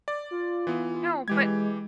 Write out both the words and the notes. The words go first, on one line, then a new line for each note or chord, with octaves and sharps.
No, but
D5
F4
E3 B3
E3 G#3 G4 G#6